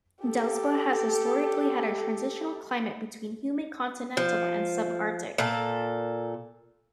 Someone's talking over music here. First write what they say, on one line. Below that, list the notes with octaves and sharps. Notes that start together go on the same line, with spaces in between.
Delsbo has historically had a transitional climate between humid continental and subarctic.
G4 A4
F3
A#2 A4